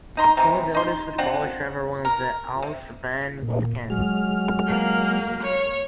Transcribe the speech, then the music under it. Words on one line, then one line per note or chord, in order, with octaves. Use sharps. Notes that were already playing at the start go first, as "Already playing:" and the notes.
He was the oldest footballer to ever win the Allsvenskan.
D#4 A#5 C6
C3 E3 G#3
D#4 C6
C4 D4 F4 F#5
A#4
C3
A#2
F#3 G#3 F6
A#3
C#5